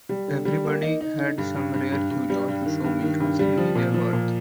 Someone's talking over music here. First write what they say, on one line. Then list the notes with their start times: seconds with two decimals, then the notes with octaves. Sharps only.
Everybody had some rare curios to show me, asking me their worth.
0.09 G3
0.28 D3
0.45 G3
0.65 A#3
0.82 D#4
1.01 D#4
1.19 D3
1.38 G2
1.56 G2
1.74 G2
1.92 G2
2.11 G2
2.30 G3
2.48 G2
2.66 D#3
2.84 G2
3.02 D#3
3.20 G2
3.39 G3
3.58 F3
3.75 A#2
3.94 F3
4.13 A#2